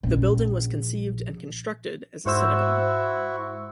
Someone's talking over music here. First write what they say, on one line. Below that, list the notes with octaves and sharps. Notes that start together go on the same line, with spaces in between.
The building was conceived and constructed as a synagogue.
A#1 C#4
G#2 E4 F#4 C5 C#6 E6